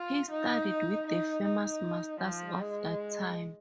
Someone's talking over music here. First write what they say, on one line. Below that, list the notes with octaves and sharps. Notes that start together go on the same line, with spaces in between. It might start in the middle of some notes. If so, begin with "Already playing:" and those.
He studied with the famous masters of that time.
Already playing: F4
D#4
D#4
D#4
F3
G#3